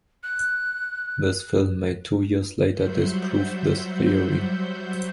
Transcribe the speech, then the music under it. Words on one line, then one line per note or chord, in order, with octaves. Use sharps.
This film made two years later disproved this theory.
F#6
F#3 G3 C5 E5 F#5 G6